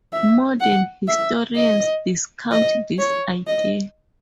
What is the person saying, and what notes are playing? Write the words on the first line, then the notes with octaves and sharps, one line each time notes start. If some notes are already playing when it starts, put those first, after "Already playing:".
Modern historians discount this idea.
E5
F#5
E5
D#5
D#5
C#5
D#5